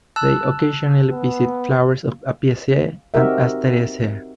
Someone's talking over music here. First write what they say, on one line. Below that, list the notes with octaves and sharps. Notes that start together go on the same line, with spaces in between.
They occasionally visit flowers of Apiaceae and Asteraceae.
A5 E6 F#6
B3
C4 D#4 F#4 G4 A#4 E5